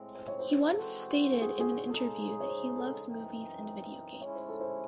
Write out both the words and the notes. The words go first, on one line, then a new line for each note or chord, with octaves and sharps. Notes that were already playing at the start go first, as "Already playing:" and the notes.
He once stated in an interview that he loves movies and video games.
Already playing: A2 G#3 C4
C5
C#5
C5
E3 G#3 C4 F#4 A4 C5
A4
G#4
G#4
C#3 G#3 D#4 G#4 A4
C#5
C5
A4
F#2 E3 C4 D#4
G#3 C#4 E4 C#5
C5
A4
C5